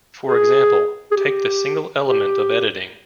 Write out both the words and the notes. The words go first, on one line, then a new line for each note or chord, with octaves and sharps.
For example, take the single element of editing.
G#4
G#4
G4
G4